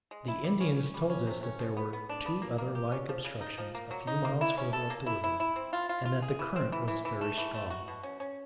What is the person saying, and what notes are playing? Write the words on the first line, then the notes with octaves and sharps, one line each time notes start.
The Indians told us that there were two other like obstructions a few miles farther up the river, and that the current was very strong.
G#3
E4
G3
C#4
C#4
G3
C#4
C3
C#4
F3
B3
B3
D4
B3
A#3
A#3
G4
C#4
F3
C#3
D#4
F3
A#3
F#3
D#4
A#3
E4
C#4
A4
A#3
E4
E4
E4
C4
F4
F4
F4
G#4
E3
C4
E3
E3
E3
A3
E3
A3
F#4
B2
C#4
C#4